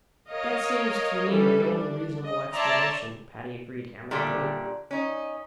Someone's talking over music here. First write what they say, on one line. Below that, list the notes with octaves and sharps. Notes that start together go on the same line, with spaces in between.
"That seems to me the only reasonable explanation," Patty agreed amicably.
A#4 C#5 D#5 F5
E3 G3 C#4 A4
D4
D#5
C#5 D5 E5 A5 A#5 C6
A#2 D3 G3 A3 G4
C#4 D#4